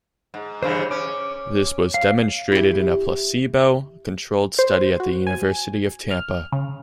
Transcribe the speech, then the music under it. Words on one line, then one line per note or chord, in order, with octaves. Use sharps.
This was demonstrated in a placebo-controlled study at the University of Tampa.
G#2
G2 C#3 E3 C5
C#4 D6
F5
E4 G4
C5
F#4
G#5
F6
C#3